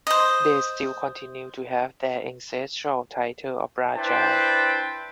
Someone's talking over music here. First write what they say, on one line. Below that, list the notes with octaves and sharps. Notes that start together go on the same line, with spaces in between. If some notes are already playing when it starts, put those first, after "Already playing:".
They still continued to have their ancestral title of Raja.
C5 D#5
D4 E4 B4 C5 G5 A5